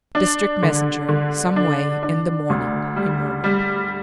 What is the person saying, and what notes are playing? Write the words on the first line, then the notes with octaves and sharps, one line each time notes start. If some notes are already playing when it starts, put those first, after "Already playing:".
"District messenger--some way--in the morning," he murmured.
D4
D3
D3
D4
D4
D2
G3
G3